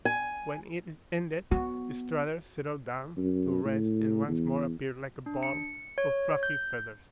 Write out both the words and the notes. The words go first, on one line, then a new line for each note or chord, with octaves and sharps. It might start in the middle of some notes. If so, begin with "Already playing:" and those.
When it ended Strutter settled down to rest and once more appeared like a ball of fluffy feathers.
G#5
B3 F#4
F#2
A2
E2
D4
C#7
C#5
G6